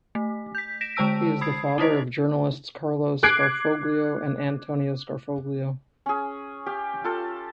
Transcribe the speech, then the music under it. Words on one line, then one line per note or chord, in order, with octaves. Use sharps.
He is the father of journalists Carlo Scarfoglio and Antonio Scarfoglio.
A3
G6 B6
A#6 B6 D7 E7
D3 G#3 C5 A5 E6 D7
B5 D#6 G#6 C7
D#4 E4 C5 D#5
D6 F#6 G#6 C7 D7
C#4 G#4
G4 F5
F4 A4